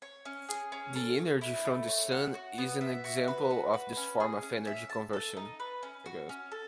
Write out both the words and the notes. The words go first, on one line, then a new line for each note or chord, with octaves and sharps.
The energy from the Sun is an example of this form of energy conversion.
C#5
C#4
G#4
C#4
A4
C#5
E4
A3
C#5
F#5
F#4
B3
E5
F#4
B4
F#4
B4
C#4
G#4
C#4
E5
A5
A4
D#4
B4
C#4
F#4
C#4
A4